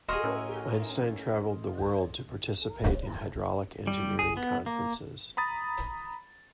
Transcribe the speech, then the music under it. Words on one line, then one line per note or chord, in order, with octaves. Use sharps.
Einstein traveled the world to participate in hydraulic engineering conferences.
D#1 F#4 G#4 D#5 C6 F6
A2 C#4 A#4 E6
G3
G#4
B3
A#3
A#5 B5 D#6 A6